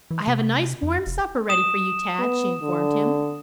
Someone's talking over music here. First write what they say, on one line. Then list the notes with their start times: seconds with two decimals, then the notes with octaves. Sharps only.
"I have a nice, warm supper ready for you, Tad," she informed him.
0.11 E3
0.27 C3
0.83 F2
1.07 F1
1.49 D#6 E7
2.19 B3
2.63 D3